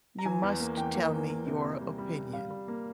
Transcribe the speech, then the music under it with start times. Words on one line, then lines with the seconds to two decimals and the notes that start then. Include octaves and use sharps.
You must tell me your opinion.
0.19 A#5
0.25 E3 G#5
0.43 E2
0.60 A#3
0.77 E2 G5
0.94 A#3
1.12 E2
1.29 A#3
1.47 C3
1.64 A#3
1.81 G3
1.98 G3
2.16 G3
2.33 G3 F5
2.50 G3
2.68 A#3